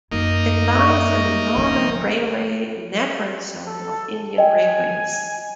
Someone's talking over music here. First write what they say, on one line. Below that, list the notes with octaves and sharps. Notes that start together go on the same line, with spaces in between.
It lies in the Northern railway network zone of Indian Railways.
F#2 A#3 D#4
E5 C#6
D3 F3
A4
D#5 G5 G#5